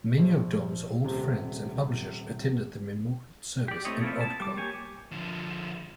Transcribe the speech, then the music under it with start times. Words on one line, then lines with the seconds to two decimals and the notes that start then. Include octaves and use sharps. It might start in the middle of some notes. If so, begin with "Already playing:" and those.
Many of Dom's old friends and publishers attended the memorial service in Odcombe.
0.17 A#1
1.04 D#1 C3
3.68 G4 D5
3.85 A3 C4 E4 C#5 D#5
4.01 A#3 C4 E4 F4 A4
4.21 A5
4.40 G3 D6
4.57 A#3 G4 C#5 G#5
5.11 D3 F3